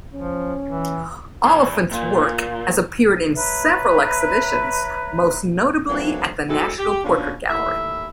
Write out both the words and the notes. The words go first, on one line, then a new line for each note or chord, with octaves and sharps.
Oliphant's work has appeared in several exhibitions, most notably at the National Portrait Gallery.
F3 C#4
E3
E2
A#2
B4 C#5 E5 A#5
E3 F#3 A3 A#3 C4 D4
G#3 C4 D4 E4 F#4 A4
G4
B2 F3 A#3 C#4 D4
D#2 A2 E4 E5